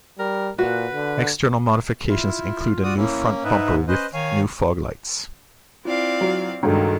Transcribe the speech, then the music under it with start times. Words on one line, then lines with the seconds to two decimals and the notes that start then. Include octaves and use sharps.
External modifications include a new front bumper with new foglights.
0.19 G3 A#4
0.58 A#2 F#4 B4
0.94 D3
2.09 E4 F4
2.83 F#4 D5 D#6
2.97 A#3 C#4 E4
3.44 G#2 D#4 B4 E5
3.88 C#4 B4 C5 D#5
4.14 D#3 C#5 F5 G#5
5.85 C4 E4 F4 D5 F5
6.21 F#3
6.63 C#2 G2 D#3 D4 F#4 A4